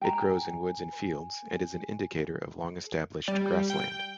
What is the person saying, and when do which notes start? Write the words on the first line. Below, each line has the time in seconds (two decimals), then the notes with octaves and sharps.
It grows in woods and fields, and is an indicator of long-established grassland.
0.02 G5 G#5 A#5
3.28 G3
3.70 G5